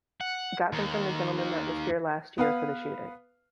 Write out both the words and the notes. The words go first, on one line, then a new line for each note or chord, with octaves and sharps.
Got them from the gentleman that was here last year for the shooting.
F#5
D#2 D#3
B3 B4 F5